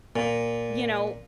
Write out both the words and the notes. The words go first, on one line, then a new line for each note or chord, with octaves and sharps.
you know,
A#2